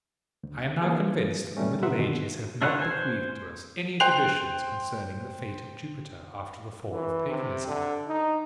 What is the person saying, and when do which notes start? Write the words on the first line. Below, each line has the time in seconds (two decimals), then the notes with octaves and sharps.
I am now convinced that the middle ages have not bequeathed to us any traditions concerning the fate of Jupiter after the fall of Paganism.
0.43 D2
0.81 E3 F#3 A#3 D4 F4 G#4
1.57 D#2 B2 G3 A3 C#4
1.82 B2 A#4 E5 F#5 C6
1.98 E2 B2 D3 D#3
2.62 D4 E4 F4 C#5 F#5
2.79 C5 G#5
4.00 C5 G5 F#6 C7 F7
6.90 E3
7.29 C3
7.67 D3
8.08 D#4